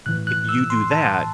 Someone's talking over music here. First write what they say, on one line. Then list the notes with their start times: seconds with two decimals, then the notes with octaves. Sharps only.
"If you do that,
0.06 A2 E3 F#6
0.27 F#6
0.49 E6
0.70 C6
0.91 A5